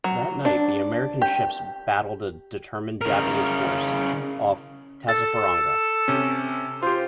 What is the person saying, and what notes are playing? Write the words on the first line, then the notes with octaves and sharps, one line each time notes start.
That night, the American ships battled a determined Japanese force off Tassafaronga.
F#3
D4
G4
C#3 A#4
A4 A6
C3 C#4
F4 G4 C5